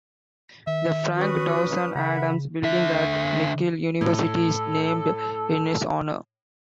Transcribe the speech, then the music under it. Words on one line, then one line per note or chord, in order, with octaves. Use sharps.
The Frank Dawson Adams Building at McGill University is named in his honor.
D#3 E5
C#4 F#4 B4 D#6
C#3 A#4 E5 F#5 B5
D3 E5
A2 A4